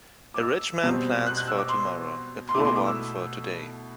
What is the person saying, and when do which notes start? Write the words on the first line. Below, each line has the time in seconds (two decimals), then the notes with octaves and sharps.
A rich man plans for tomorrow, a poor one for today.
0.34 D6
0.40 E6
0.83 B2 G3 C4
1.27 F#6
1.37 F#6
1.48 E6
1.58 D6
1.69 C6
2.49 C6
2.54 E4 D6
2.57 B2 A3
2.65 C6
2.76 D6
2.87 E6